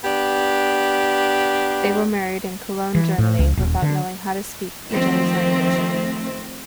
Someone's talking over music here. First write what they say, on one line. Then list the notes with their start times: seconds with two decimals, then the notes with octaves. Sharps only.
They were married in Cologne, Germany, without knowing how to speak each other's language.
0.03 B3 D4 G4
2.95 E3
3.18 A2
3.39 C#2
3.57 D#1
3.82 D3
4.89 D#3 F3 A3 C4